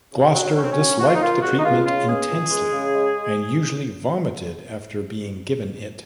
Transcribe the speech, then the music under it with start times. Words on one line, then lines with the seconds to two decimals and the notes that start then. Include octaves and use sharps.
Gloucester disliked the treatment intensely, and usually vomited after being given it.
0.13 C#3
0.35 F#3
0.56 F#3 C#4
0.63 C4
0.71 C#4
0.78 F#3
0.99 F2 F#4
1.07 F4
1.14 D#4
1.21 A#3 F4
1.42 C#2 F#4
1.59 D#4
1.64 C#2 F4
1.86 C#3 F4
2.07 C#2 G#4
2.29 C#2
2.50 G#3
2.72 C#3
2.93 G#3